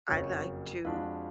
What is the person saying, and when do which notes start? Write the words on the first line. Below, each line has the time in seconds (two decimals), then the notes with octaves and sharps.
I I like to,
0.08 F#1 F2 C#3 F#3 C#5 C#6
0.85 F2 F3 G#3 D4 F4 F#4 F5